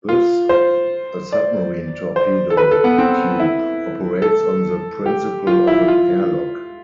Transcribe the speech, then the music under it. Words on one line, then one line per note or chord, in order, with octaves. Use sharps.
Thus a submarine torpedo tube operates on the principle of an airlock.
F4
C5
D5
C5
A4
B4
A4
B3
C4
E4
A4
G4
F4
E4
F4